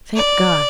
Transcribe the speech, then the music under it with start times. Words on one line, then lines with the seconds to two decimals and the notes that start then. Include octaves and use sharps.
"Thank God!"
0.15 D5